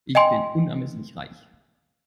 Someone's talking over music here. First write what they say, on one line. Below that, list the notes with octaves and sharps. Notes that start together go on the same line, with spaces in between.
Ich bin unermesslich reich.
D#5 G5 G#5 C6